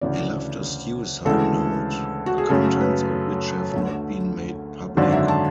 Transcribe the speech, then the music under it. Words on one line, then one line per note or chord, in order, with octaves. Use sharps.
He left a suicide note, the contents of which have not been made public.
D2 C#3 E3 D5
D2 C#3 E3 G#3 A4
F#4
G#4
F#2 C#3 F#3 A3 A4
B4
D2 D3 A3 C#5
G#1 F#2 D3 F#3 D5
E5
A5